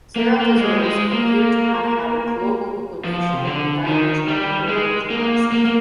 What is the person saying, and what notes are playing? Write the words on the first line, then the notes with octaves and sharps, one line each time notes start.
Ceratosaurs appeared to have had a global population that diverged by the early Jurassic.
A#3
A#3
G#3
G3
G#3
A#3
F3
C3
D3
D#3
G3
G#3
A#3
A#3
A#3